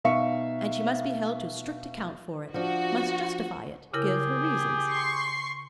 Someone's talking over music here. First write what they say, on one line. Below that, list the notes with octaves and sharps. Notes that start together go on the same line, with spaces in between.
And she must be held to strict account for it, must justify it, give her reasons.
B2 D#4 E5 F5 C#6 C#7
F3 D4 F#4
C#3 E4 G4 G#4 A#4
C6 C#6 C7